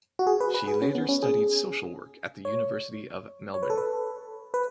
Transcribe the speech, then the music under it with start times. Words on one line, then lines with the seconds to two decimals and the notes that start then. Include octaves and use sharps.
She later studied social work at the University of Melbourne.
0.19 F#4
0.27 G#4
0.40 B4
0.54 B4
0.68 G#4
0.82 C#4
0.95 B3
1.09 C#4
1.23 G#4
2.45 C#5
3.54 C#5
3.63 B4
3.70 A4
3.78 B4
4.54 B4